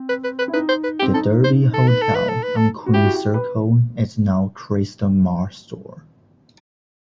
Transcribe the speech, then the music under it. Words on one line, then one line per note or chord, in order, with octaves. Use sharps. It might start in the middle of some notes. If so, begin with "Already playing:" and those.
The Derby Hotel on Queen's Circle is now a Crystal Mart store.
Already playing: C4
B4
B4
B4
E4
D#4 B4
C5
B4
G4
C4
D#4 A4
C5
A4
B4
A4
B4
A4
B4
A4
F#4
E4 G4
F#4
G4
B4